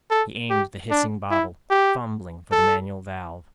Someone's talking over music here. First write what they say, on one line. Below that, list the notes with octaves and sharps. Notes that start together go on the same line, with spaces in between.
He aimed the hissing bottle, fumbling for the manual valve.
A4
G4
D4
E4
G4
A4